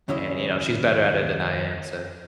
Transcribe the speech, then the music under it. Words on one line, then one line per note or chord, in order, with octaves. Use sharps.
and, you know, she's better at it than I am, so
D#2 C#3 F#3 C#4 E4 D#5